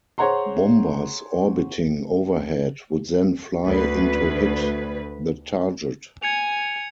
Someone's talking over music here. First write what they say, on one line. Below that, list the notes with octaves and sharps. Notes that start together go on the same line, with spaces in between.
Bombers orbiting overhead would then fly in to hit the target.
G#4 C5 C#5 F#5 A#5 C6
D2 B4
G#5 G#6 C#7 F7